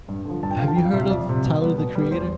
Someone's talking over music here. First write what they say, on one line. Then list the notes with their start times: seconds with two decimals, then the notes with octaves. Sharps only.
Have you heard of Tyler, The Creator?
0.08 G2
0.25 D3 F3
0.43 G2 A5
0.51 G5
0.59 D3 F3 F5
0.68 A5
0.76 F2 G5
0.85 F5
0.93 C3 E5
0.97 G3 F5
1.10 F2 D5
1.27 C3 G3
1.44 B2
1.61 G3 B3
1.78 B2
1.95 G3 B3
2.11 E2 C5